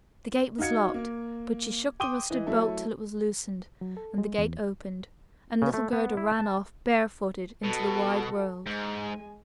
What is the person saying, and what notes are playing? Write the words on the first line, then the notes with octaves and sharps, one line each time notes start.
The gate was locked, but she shook the rusted bolt till it was loosened, and the gate opened; and little Gerda ran off barefooted into the wide world.
D#4 F#4 F5 G#6 C#7
A#3
G5 C6 D6 D#6 D#7 G7
E3 D#5
F#3 A3 E4 A4
F#3
A4
G#3
E2
C#3
A3
B3
E4
A5
B2 F#4 A4
G#2 G#3 G#5